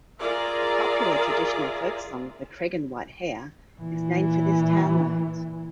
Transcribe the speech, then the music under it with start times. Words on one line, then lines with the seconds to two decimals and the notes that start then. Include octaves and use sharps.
The popular traditional folk song, The "Creggan White Hare", is named for this townland.
0.19 F4 G#4 A#4 D5 E5
3.79 A#2 E3